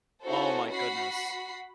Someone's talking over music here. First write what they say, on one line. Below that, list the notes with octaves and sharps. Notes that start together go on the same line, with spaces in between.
oh my goodness.
C#4 D#4 E4 F#4 A4 C5
F#4 F#5 B5 C7